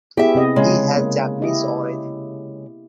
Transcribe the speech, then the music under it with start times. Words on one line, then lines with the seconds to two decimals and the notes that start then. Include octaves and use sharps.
He has Japanese origin.
0.17 B3 E4 G4 G#4 E5
0.35 C3 C4 D#5
0.56 C#3 G#3
0.96 A#3
1.42 E4 G4 D#5